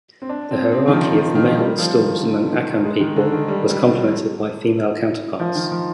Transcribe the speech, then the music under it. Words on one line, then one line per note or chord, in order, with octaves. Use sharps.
The hierarchy of male stools among the Akan people was complemented by female counterparts.
C4
D4
C4
C4
D#3
F3
D#3
D#3
F3
G3
F3
D#3
D3
D#3
G#3
D#3
D3
D#3
G3
G3
F3
D#3
F3